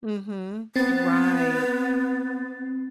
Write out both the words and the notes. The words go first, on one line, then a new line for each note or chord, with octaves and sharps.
Mhm. Right.
B3 C4 A6